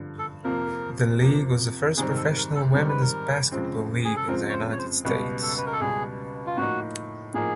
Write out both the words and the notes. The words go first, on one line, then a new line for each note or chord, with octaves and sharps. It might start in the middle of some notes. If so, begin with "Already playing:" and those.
The league was the first professional women's basketball league in the United States.
Already playing: G2 D3 F3
A4
F2 C3 F3 A#3 A#4
F2 C3 F3 A#3
G#2 D#3 G3 C4 G#4
A#4
A4
A#4
A4
G#2 D#3 G3 C4 A#4
B4
A#4
F2 C#3 F3 G#3 C4
G#4
A4
F2 C#3 F3 G#3 C4 A#4
C#5
C5
C#5
C5
C#2 B2 G3 B3 B4
A4
B4
A#4
A4
C#2 B2 G3 B3 G#4
F4
A2 F3 A#3 D#4 F#4
A2 F3 A#3 D#4 G#4